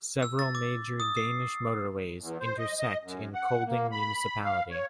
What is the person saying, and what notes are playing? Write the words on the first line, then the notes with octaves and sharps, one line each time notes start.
Several major Danish motorways intersect in Kolding municipality.
E6
A6
D6
D#6
C7
E2
C5
D#5
D#5
F#2
F#5
A#3
B5
F5
C#5